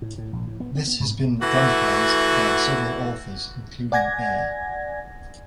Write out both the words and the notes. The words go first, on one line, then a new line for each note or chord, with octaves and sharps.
This has been dramatized by several authors including A.
A2
A2
A#1
A2
B3
C4
B3
G#2
E3 A3 F#4
D5 F#5 G#5 G#6 A#6